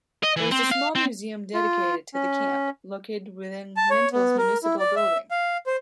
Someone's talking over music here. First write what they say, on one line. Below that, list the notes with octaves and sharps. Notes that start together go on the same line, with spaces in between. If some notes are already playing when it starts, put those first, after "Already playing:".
There is a small museum dedicated to the camp located within Minto's municipal building.
D#5
E3
C4
F5
C4
F4
C#4
A5
C#5
B3
A#4
E4
D5
E5
F5
C5